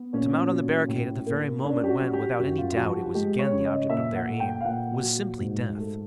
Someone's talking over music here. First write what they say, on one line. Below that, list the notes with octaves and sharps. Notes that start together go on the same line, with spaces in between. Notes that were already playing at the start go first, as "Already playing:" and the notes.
To mount on the barricade at the very moment when, without any doubt, it was again the object of their aim, was simply death.
Already playing: B3
A#2 C#4
F#3
A2
A#3
C#4 D4
G4
F#4
F#3
G4
F#2 F#4
F4
F4
F3 F#4
G4
G#3 G4
C#5
C#3
D#5
A#2 E5
F#5
A3
G5
F5
A#2 F#5
F#3
G#2
A3